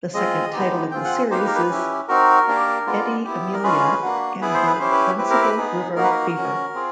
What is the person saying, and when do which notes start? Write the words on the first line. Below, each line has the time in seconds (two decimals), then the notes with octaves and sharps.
The second title in the series is "Edie Amelia and The Runcible River Fever".
0.14 G#3 C4 F4 G#4 D#5
0.52 G#3 B3 D#4 G4
0.91 C4 F4 G#4 G5
1.04 F#5
1.31 A#3 D#4 G4 C5
1.39 B4
1.46 A#4
1.55 B4
1.70 C#4 E4 G4
2.08 C4 D#4 F#4 A#4
2.48 A#3 D4 G4
2.86 G#3 B3 D4 F4
3.24 B3 E4 G4
3.53 A#4
3.63 G#3 C#4 F4 G#4 B4
4.02 A#3 D4 F#4
4.41 B3 E4 G#4 B4
4.54 C5
4.67 B4
4.79 C#4 E4 G4 C5
4.91 B4
5.18 C4 E4 G4 B4
5.30 A#4
5.43 B4
5.57 B3 D#4 G#4
5.96 A#3 D#4 F#4 A#4
6.04 B4
6.11 A#4
6.35 C#4 F#4
6.74 C4 F4 G#4